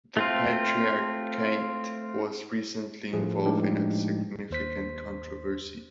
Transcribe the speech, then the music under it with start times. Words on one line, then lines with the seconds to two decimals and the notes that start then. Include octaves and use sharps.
The patriarchate was recently involved in a significant controversy.
0.17 A3 C4 F4
3.13 A2 F3 A3 G#4
3.45 A2 F3 G#3 D4 D#4 G4
4.50 D#2 C5 B6